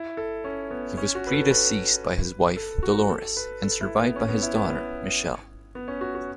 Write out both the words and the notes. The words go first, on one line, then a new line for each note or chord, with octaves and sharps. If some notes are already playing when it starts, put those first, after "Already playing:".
He was predeceased by his wife Dolores and survived by his daughter, Michele.
Already playing: E4
A4
C#4
B3
C#4
F#4
B4
A4
B4
A4
F#4
A4
B4
A4
E4
B3
C#4
B3
E4
B3
B3
C#4
F#4
F#4